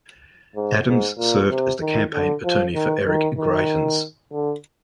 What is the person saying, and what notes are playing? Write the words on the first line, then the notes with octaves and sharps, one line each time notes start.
Adams served as the campaign attorney for Eric Greitens.
G#2
G#2
A#2
C3
D#3
D3
F3
D#3
D#3
D#3
D3